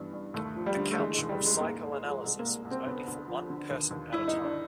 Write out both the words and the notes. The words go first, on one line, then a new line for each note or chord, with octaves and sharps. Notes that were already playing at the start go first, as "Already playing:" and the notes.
The couch of psychoanalysis was only for one person at a time.
Already playing: G2 E3 B3
G2
D#2 A3
F3
G3
D3
A3
E3 G#3
D#2 G#3
G3
C#3
G#3
G#2 A#3
G#3
G#2
G#3
F3
G#3
C2 G#3
A#3
C2
C2
C4
D2 B3
D2
F3
D3
D#2
D#2
G2 E4
D#4
D3
D4